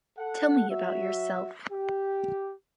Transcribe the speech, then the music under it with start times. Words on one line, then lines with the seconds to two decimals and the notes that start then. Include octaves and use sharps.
Tell me about yourself.
0.16 A4 F#5
0.69 F#3 F#4 E5
1.71 G4